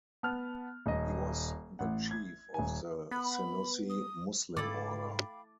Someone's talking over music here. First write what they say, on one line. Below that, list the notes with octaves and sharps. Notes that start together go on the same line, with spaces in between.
He was the chief of the Senussi Muslim order.
B3 A5 F6
D#1 D#5
A1 F#5
G#6
D#1 G#5
B3 B5
D#6
G#2 A3 E4 F5 G5 B5 D6 A6